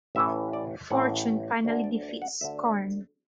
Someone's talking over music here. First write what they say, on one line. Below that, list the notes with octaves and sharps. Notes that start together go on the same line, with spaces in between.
Fortune finally defeats Scarn.
A1 A2 E3 E5
D5
A1 A2 E3 F#5
D2 D3
D5
D5
F#5
D2 D3 E5